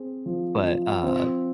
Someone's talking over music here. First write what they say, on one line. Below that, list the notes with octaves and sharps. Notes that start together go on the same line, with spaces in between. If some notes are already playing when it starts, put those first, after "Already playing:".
But, uh,
Already playing: C4 G#4
F3
F3
C4